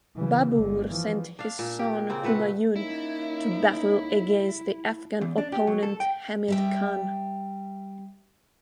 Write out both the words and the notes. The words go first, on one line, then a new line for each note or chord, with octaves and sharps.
Babur sent his son Humayun to battle against the Afghan opponent Hamid Khan.
C#3 E3
G1 D3
E3 F3
D4 F5
A#2
G4
C#3 A#3 C4
A#2 A3 B4 F#5
A#3 C#4 D#4 E4
E2
D4
G4
F#3
A4
G5
G3 E5 G5